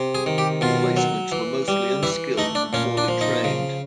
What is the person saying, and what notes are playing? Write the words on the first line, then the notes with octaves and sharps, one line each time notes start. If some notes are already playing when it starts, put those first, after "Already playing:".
Replacements were mostly unskilled and poorly trained.
Already playing: C3
G#4
D#3
G4
B2 F4
F#3
E3
G3
E3 E4
A3 D#4
D4
A#2 C#4
D4
F3
D#4
C#3